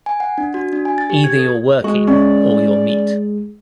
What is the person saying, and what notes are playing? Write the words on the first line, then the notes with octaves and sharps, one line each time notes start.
Either you're working or you're meat.
G#5
F#5
D4
F#4
D4
G#5
A6
G4
G#6
A4
G#3 F#4 G#4
C#4 D5